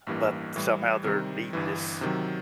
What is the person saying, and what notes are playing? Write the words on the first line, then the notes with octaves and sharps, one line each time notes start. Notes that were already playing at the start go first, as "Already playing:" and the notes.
but somehow they're needing this
A1 G2 E3 G3 A#3
A2 E3 G3
C3 D#3 G3
G1 G2 E3
C3 D#3 F#3